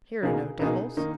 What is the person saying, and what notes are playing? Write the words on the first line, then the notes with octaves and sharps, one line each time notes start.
Here are no devils.
C#2 B2 A#3 D#4 G#4
C#2 B2 A#3 D#4 G#4
D#3 A#3 D#4